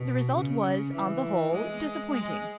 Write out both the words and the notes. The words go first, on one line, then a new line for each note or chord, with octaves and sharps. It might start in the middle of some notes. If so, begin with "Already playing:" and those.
The result was, on the whole, disappointing.
Already playing: B2
C#3
E3
G#3
G#3